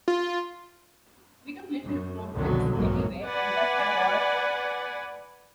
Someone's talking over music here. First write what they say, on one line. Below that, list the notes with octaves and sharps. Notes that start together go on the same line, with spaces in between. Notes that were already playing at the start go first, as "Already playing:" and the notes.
We took little road trips everywhere and just had a lot of fun.
F4
F#2
C2 F2 B2 D3 D#3 F#3
B1 F2 G#2 F#3 A#3
B4 D5 F#5 G#5